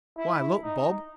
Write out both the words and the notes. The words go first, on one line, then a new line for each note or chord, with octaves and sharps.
Why, look, Bob.
E4
D#4